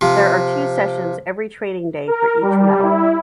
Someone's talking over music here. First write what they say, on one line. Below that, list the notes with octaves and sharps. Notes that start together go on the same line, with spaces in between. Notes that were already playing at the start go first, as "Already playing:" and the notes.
There are two sessions every trading day for each metal.
C3 F3
A#4
G3
E4